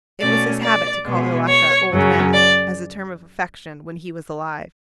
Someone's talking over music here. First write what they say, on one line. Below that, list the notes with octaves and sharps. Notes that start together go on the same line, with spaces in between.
It was his habit to call Ilusha "old man," as a term of affection when he was alive.
B2 A3 C#4 D5
D5
B2 G#3 B3
C#5
F#2 C#3 F#3 C#4
D5